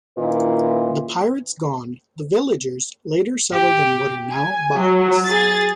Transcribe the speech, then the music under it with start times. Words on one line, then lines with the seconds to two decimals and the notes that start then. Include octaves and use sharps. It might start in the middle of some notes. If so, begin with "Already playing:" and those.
The pirates gone, the villagers later settled in what are now Baras.
0.17 A#2 D#3 C#4 E4 B4 D#5
3.53 G4
4.31 G#5
4.78 F#3
5.26 G#4 A6